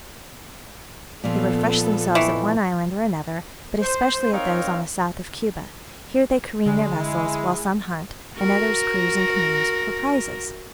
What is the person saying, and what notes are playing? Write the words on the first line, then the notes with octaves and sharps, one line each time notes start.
They refresh themselves at one island or another, but especially at those on the south of Cuba; here they careen their vessels, while some hunt, and others cruise in canoes for prizes.
A#2 F3 B3 A4
D#3 E3
C5
C4 D#4 A#4 C#5 F5
D3 G3 G#3
E4
F#4 A#4